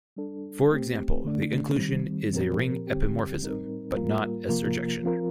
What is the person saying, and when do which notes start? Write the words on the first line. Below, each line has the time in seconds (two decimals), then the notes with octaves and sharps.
For example, the inclusion is a ring epimorphism, but not a surjection.
0.16 G3 D4 A4
0.71 A3 C4 G4
1.24 D3 A3 D4
1.79 D#3 G3 C4
2.33 A#2 F3 C4 G4 A#4
2.87 D3 G3 C4 G4
3.41 A2 G3 C4 D#4 A#4
3.95 A2 G3 A#3 F4 A#4
4.49 C3 F3 A#3 F4 A#4
5.03 F3 C4 F4 A#4